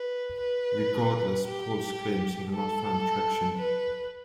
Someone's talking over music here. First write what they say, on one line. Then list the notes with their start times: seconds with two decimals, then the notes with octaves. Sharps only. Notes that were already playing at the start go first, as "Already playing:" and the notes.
Regardless, Paul's claims have not found traction.
Already playing: B4
0.40 B4
1.46 G4
2.52 A4
3.57 B4